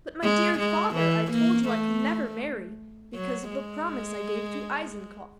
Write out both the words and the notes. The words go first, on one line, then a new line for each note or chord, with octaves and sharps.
'But, my dear father, I told you I can never marry, because of the promise I gave to Eisenkopf.'
G#3
G#3
E3
A#3
A3
F#3
G#3